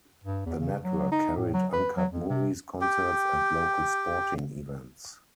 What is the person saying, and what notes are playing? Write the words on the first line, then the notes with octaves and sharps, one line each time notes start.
The network carried uncut movies, concerts and local sporting events.
G2
E2
C#3
F#3
D#4
A2
F#3
B4
F#3
F2
C3
G4 G5